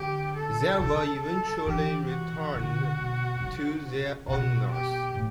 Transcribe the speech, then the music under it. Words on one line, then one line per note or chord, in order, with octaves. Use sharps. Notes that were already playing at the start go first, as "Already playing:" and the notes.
They were eventually returned to their owners.
Already playing: D3 G4
A4
C#3 A4
A4
E3 G4
F#4
D3
B2
C#3
B2 F#4
G4
A2